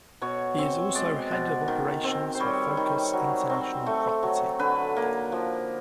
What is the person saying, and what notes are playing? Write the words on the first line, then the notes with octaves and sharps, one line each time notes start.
He is also head of operations for Focus International Property.
B2 C#5
C4
G#3 D5
B2
D#3
C4
C5
G3 C#5
D#3
F#3
C4
A3
F#3
D3 B4
A#3
F3